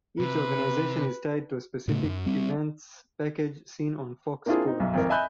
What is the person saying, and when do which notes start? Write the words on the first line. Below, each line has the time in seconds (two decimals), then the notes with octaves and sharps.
Each organization is tied to a specific events package seen on Fox Sports.
0.20 C3 B4
1.88 A2 C#3 A3
2.04 F#2
2.26 G3 C4
4.46 A#3 C4 D4 E4 F4 G#4
4.64 C4 D#4
4.80 B1 F#2
4.94 G#1 F2 A#4
5.09 D#5 E5 G#5 B5 F#6 G6